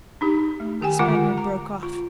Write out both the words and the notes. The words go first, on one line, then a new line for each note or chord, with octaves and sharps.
The Spaniard broke off.
D4 D#4 G4
A3
D#3 G4 G5 G#5
D3 D#3 G#3 F4 F#5 D6
A#5
F4